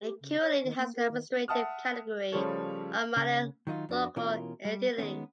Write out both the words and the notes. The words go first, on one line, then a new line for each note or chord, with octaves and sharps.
It currently has the administrative category of Minor Local Entity.
G4
C#3
C#5
D#3
A#3
A#4
D#3
E5 F#5 A5 D#6 F6
C#3 F3 G3 A3 A4 C#5
C#3
D#3 F#3 D#4 F4
F2 D4 F#4
B2 E3 C#4 F4 A#4
G3
D#3 G#3 B3 C#4